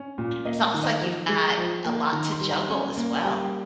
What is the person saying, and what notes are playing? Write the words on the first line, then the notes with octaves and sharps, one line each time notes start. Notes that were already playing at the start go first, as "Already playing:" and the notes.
It's almost like you've got a lot to juggle as well,
Already playing: C#4
A#2
A#3 D#5
D#3
D#5
F3
G#3
F3
A#3
D#3 A#5
C6
G3
A#5
C#4 G#5
A#3
G#5
G3 G5